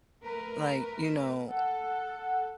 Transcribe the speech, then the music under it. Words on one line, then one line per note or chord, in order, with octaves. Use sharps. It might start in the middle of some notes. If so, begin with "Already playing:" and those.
like, you know,
A3 A#4 B4
A4 F#5